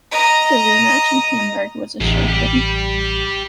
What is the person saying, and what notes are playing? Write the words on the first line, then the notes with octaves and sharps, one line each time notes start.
The rematch in Hamburg was a sure thing.
D#5 A#5
A1 G#2 C3
G4 D5